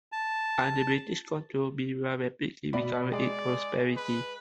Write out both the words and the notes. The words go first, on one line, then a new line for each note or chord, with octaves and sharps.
Under British control Berar rapidly recovered its prosperity.
A5
B2 D5 B5
G#3 D5
B4